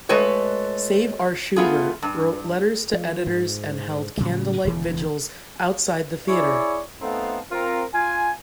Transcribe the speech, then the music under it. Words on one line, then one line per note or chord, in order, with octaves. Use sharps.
Save Our Shubert wrote letters to editors and held candlelight vigils outside the theater.
G#3 A3 F#4 B4 C#5
A3 B3 F4 G#4
G2
F3
G#2
A2 C#3 F#3 G3
E1 D2 E3
E4 G#4 C#5 D5
A3 B3 C4 D#4 A4 F5
C4 F4 A#4
F4 G#5